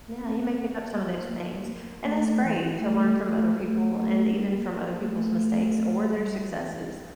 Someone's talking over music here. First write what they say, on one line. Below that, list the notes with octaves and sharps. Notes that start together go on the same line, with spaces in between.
Yeah, you may pick up some of those things. And that's great to learn from other people and even from other people's mistakes or their successes,
C4
A#3
A#3
A#3
A#3
A3
E3
A3
A3
A3
A3
A#3
A#3
A3
G3
E3